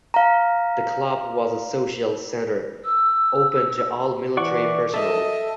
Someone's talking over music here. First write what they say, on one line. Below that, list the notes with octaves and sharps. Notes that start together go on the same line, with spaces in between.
The club was a social centre, open to all military personnel.
F5 A#5
E6
E3 D5 F#5 C#6
A4 D#5 E5